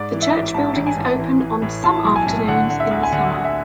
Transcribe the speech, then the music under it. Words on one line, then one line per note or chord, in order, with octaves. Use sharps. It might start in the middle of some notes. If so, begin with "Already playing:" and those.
The church building is open on some afternoons in the summer.
Already playing: G#2 D5
E3
E5
A1
G#2 A5
A1
G#5
A1
E3
E3
A2
A2 A5
B1
G#5
A2
D3 F#5
D3
E5
D2
G#5
D3 F#5
D2
E5